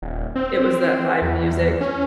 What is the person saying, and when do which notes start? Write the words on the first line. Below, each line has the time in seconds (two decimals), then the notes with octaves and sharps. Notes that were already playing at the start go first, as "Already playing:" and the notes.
It was that live music.
0.02 D#1
0.35 C4
1.22 E2
1.81 C#4